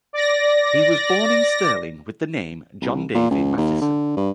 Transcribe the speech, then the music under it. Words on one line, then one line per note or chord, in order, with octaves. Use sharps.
He was born in Stirling with the name John Davie Mathieson.
D5 A#6
C2
A#2
C#2
D#2
D3
G2